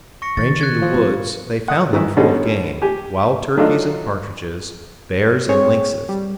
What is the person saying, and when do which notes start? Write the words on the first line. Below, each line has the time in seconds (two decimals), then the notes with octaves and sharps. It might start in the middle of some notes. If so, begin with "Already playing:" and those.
Ranging the woods, they found them full of game, wild turkeys and partridges, bears and lynxes.
0.22 C#6 A#6 C#7
0.37 D#3 A6
0.59 F#6 G#6 C#7
0.82 F3
0.94 C4
1.68 F#5 D#6
1.93 D#3 E3 E4
2.17 B2 D3 D#3 G3 G#3 C#4
2.82 G4 G#5
3.57 D#3 F#3 A3 D4 D#4 F4
5.49 C4 G#4 C#5
6.09 G3